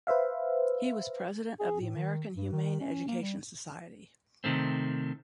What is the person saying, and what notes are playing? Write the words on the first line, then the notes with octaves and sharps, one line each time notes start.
He was President of the American Humane Education Society.
B4 C5 E5 F5
G#4
A2
D#3
G2
D#3
C#4
A#3
G3
C3 D#3 A3 C4